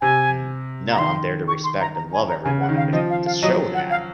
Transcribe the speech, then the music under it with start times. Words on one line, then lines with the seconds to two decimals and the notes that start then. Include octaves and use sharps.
N no, I'm there to respect and love everyone and to to show that.
0.01 C3 G#5
0.91 A#5
0.99 D#3 C6
1.48 C#6
1.64 C6
1.81 A#5
1.96 A#5
2.13 G#5
2.29 A#5
2.44 C#3 G#5
2.60 F#5
2.69 D#3
2.77 F5
2.93 F3 D#5
3.10 F5
3.26 F5
3.42 F#3 D#5
3.74 F#5
3.90 F5